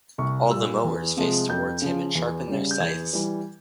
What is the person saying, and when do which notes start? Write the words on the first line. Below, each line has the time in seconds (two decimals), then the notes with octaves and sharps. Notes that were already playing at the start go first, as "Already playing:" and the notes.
All the mowers face towards him and sharpen their scythes.
0.18 C2 C#6
0.50 A#2 G3 E6
0.84 E2
1.17 C3 F3 G#3
1.49 F2 G6
1.82 C#3 F3
2.15 E2
2.48 C#3 G3
2.71 G6
2.80 E2 G#6
3.13 E3 G3